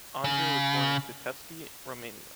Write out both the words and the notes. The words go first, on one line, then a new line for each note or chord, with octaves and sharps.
Andrei was born in Pitești, Romania.
C#3